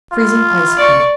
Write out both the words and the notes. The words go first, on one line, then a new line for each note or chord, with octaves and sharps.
Freezing Ice Cream.
F4
D5 C#6